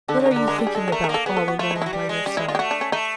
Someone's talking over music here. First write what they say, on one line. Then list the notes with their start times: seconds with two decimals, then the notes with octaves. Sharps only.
What are you thinking about all alone by yourself?
0.08 D3 A4
0.20 C#3
0.26 A#4
0.31 D3
0.36 A#4
0.47 G#3 A#4
0.59 G3 A4
0.67 G#4
0.75 G#3 A4
0.88 A4
0.92 A3 A#4
1.04 A#4
1.09 A#3
1.14 A4
1.26 B3 G#4
1.37 A4
1.48 F#4
1.59 A3 F4
1.71 E4
1.75 G#3
1.82 F#3 E4
1.93 G3
2.09 G#3
2.26 G3 C#4
2.37 G#3 E4
2.48 G#3 F4
2.55 G4
2.59 A3 F#4
2.71 D4
2.81 C#4
2.92 A3 D#4